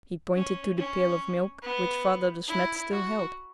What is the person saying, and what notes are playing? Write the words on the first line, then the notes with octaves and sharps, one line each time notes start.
He pointed to the pail of milk which Father De Smet still held.
C#4
C#4
B3
E4
F#4